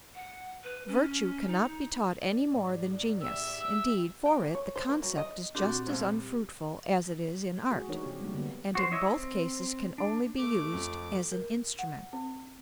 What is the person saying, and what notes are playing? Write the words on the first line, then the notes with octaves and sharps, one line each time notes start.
Virtue cannot be taught any more than genius; indeed, for it the concept is just as unfruitful as it is in art, and in both cases can only be used as an instrument.
F#5
B4
C#4
D#4
D5
G#2
G4 E5 E6
E6
G5
A#3
C#5
C5
A#3
F#3
D#5
A#2 C4 D4 F#4 G4
C2 G#2
G3
G#3 F#4 G#4
E3 A3 D4 D#4 A#4 C#5
C3 C4 G4
F#3 G3 A3 A#3 D4
D3 F#3 A#3 B3 F#4
F#4 C5 C6
E4 C#5 D#5 E5
C4
D4
A3 D6
F2
A#4
F#5
C4